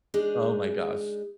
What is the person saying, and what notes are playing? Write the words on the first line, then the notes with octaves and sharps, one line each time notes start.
Oh my gosh,
G#3 D4 D#4